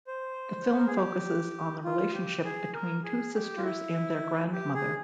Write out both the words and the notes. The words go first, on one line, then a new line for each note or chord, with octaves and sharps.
The film focuses on the relationship between two sisters and their grandmother.
C5
A#4
G#4
G4
F4
G4
G#4
A#4
G#4
G4
F4
E4
G4
G#4